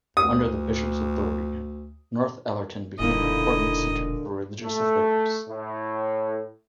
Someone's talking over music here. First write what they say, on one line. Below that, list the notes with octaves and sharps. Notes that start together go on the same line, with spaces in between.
Under the Bishop's authority Northallerton became an important centre for religious affairs.
D2 D#6
E1 A#2 D3 A3 A#3 D#4 E4 D#5
A3
A2